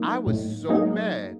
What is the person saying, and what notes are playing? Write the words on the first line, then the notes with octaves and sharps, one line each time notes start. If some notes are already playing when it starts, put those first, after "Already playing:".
I was so mad.
Already playing: F#3 A#3 D#4
A2
F#3 A#3 D#4 G#4